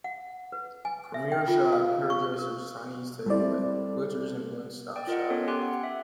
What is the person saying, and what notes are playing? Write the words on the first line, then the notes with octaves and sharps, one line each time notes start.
Premier Shop, Hair Dressers, Chinese Take away, Butchers and One Stop Shop.
F#5
B4
G#5
E5
G5
F4
F5
C#6
A#4
G3 C4 E4 A4 D5
D5 G5
F4 A#4 D#5 F#5
B3 C#4 A4 C#5
G4 G5 G#5 C6 F#6
F#5
E5